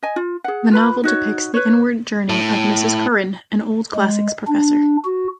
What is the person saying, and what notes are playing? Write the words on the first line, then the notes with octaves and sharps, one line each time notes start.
The novel depicts the inward journey of Mrs. Curren, an old classics professor.
D#5 G#5
F4
G#4 F#5
F4 B4 B5
D#4 F#4 C#5
B4 C#5
A2
G#3
D4
F#4